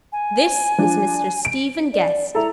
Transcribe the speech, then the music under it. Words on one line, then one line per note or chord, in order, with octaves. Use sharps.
"This is Mr. Stephen Guest."
G#5
F3 D4
D7
D5
E4 A4 A#5